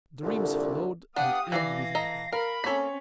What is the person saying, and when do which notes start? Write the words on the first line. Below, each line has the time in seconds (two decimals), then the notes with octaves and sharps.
Dreams flowed and ebbed within him.
0.23 C2 A#2 D3
1.16 B3 D4 G4 F5 F#5 D#6
1.52 E3 A4 D5 F5 A#6
1.95 A4 D#5 A#5
2.33 A#4 F5 B5
2.64 A#3 C4 C#4 A4 C#5 B6